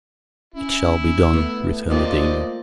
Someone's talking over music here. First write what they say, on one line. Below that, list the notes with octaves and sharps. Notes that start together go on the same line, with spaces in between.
"It shall be done," returned the demon.
C#4 E4
A3 B3
F3 A#3 C4 C5 D5 D#5